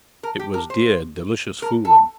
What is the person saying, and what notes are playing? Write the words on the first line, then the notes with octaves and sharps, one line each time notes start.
It was dear, delicious fooling.
A#4
G4
A#4
C5
A#4
A4